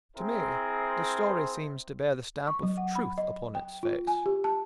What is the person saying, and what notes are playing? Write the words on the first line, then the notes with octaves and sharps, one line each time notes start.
To me the story seems to bear the stamp of truth upon its face.
C4 E4 G#4 A#4 C5
C#6
F#3
F#5
B5
D#5
G5
F4
G#5
G4
A5